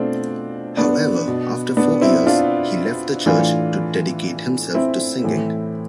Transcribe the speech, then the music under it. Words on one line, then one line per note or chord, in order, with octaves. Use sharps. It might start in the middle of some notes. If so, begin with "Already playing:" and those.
However, after four years, he left the church to dedicate himself to singing.
Already playing: B2 A3 C4 D4 F4
B3 D4
B2
B3 D4
C4 E4
D4 F4
A2 E3 D4 F4
C4 E4
A2 E3